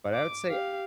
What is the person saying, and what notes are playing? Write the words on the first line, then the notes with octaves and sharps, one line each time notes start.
But I would say
D6
G4 F5